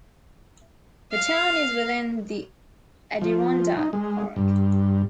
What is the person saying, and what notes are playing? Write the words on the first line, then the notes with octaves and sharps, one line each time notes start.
The town is within the Adirondack Park.
F5
F3
D#4
G#3
G2